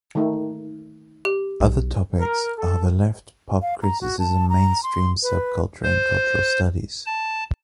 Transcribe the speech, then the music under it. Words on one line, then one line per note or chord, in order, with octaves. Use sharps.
Other topics are the left, pop, criticism, mainstream, subculture and cultural studies.
D#3 A3
G4
B1
A#4
A4
F5
A#5
F#4
A5
A#5
C6
B4
C5
A5